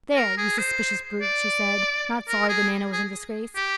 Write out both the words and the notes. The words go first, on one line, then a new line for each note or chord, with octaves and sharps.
"There, you suspicious brute," she said, not sorry that Nana was in disgrace.
A#4
G#4
C5
D5
A#4
G#4
G#4
G4